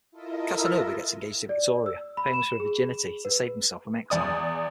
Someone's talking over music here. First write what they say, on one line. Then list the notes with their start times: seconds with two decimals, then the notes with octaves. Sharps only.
Casanova gets engaged to Victoria, famous for her virginity, to save himself from exile.
0.11 E4 F4 A4 A#4 D#5 E5
1.49 D5
1.86 E6
2.17 B5
2.34 E7
2.60 G#4
3.25 B4
4.10 E2 D5 D#6